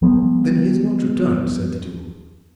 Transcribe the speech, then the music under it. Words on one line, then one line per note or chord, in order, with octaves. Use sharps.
"Then he has not returned?" said the duke.
F3 G3 G#3 B3